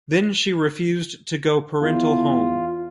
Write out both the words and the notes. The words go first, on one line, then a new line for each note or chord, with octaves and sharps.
Then she refused to go parental home.
E2 F4